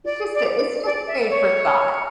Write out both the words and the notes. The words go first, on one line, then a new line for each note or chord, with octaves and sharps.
it's just it's just food for thought.
D5
D5
D5
E5
C#5